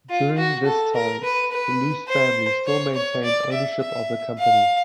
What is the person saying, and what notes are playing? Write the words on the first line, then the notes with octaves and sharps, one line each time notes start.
During this time, the Luce family still maintained ownership of the company.
F4
F#4
A4
A#4
B4
B4
C5
C#5
C#5
D5
E5
E5
F5